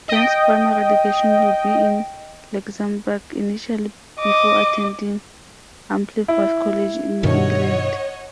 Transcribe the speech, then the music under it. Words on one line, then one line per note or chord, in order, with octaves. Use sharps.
Jean's primary education would be in Luxemboug initially before attending Ampleforth College in England.
D#5 G5
D#5 D6
E4
G2 B2 D#3 C#5 D#5 F#5